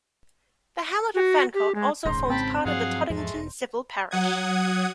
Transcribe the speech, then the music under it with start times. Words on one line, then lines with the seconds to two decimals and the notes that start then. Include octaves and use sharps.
The hamlet of Fancott also forms part of the Toddington civil parish.
1.14 F#4
1.54 G4
1.75 G#3
2.05 D#1 G#1 G#2 C#3 C5 A#5
2.30 C4 G5 A5 B5
2.65 G2 F3 F#3 G#4 F5 F#5
3.10 E2 G#2 F3 G#3 A3
3.34 E1
4.11 F#3 F#5 D#6 G#6